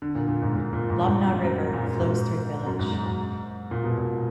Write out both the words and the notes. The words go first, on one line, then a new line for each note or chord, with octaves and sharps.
Lomná River flows through the village.
D3
A#2
A#2
G#2
A#2
A#2
G#2
G#2
F#2
F#2
A#2
A#2
G#2
F#2
G#2
F#2
G#2
A#2
B2
A#2